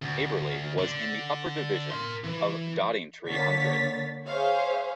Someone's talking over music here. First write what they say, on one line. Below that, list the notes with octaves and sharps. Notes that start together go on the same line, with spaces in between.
Abberley was in the upper division of Doddingtree Hundred.
D2
D3
A#4 C6
E3
D3 A#3 C#5 A6 B6
G#4 C5 C#5 E5 F5